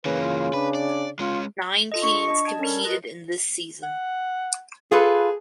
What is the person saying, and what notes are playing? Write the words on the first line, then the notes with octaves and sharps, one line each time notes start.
Nine teams competed in this season.
C#3 E3 A#3 B4
F4
D4 B4
D5
G#3 C#4 F4
F4 A4 D#5
D4 C#6
D4 D#5
A5 G#6
G3 C#4 A4 A#4
F4 B4 D#5
F#5
F4 G#4 A4 B4